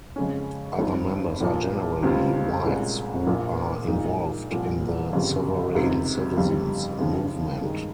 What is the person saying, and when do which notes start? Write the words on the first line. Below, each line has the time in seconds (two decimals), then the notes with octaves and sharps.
Other members are generally whites who are involved in the "sovereign citizens" movement.
0.16 F2 C#3 G#3 C#4
0.78 G#1 G2 F3 C4 D#4
1.40 A#1 A#2 F3
2.03 C#2 C#3 G3 C4 F4
2.64 C2 A#2 G#3 C#4
3.26 A#1 A#2 F3 A#3
3.88 A#1 A#2 G#3 D#4
4.51 C2 A#2 F3
5.13 G1 F2 C#3 G3
5.75 C#2 C3 D#3
6.37 G1 F2 C#3 G3
6.99 D#2 C#3 F3
7.61 G2 D#3 G#3